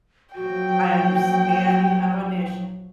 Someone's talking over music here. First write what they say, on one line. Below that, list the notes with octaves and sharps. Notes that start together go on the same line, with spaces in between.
"I understand you have an issue.
A#1 F3 F#3 F#4 G5